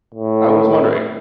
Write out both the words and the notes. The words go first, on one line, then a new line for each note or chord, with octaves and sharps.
I was wondering,
A2